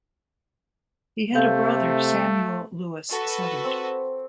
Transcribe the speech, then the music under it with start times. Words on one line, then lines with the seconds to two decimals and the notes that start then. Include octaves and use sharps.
He had a brother, Samuel Lewis Southard.
1.35 C3 A3 A4 F5 G6
3.10 F#4 A4 B4
3.64 C4 C#6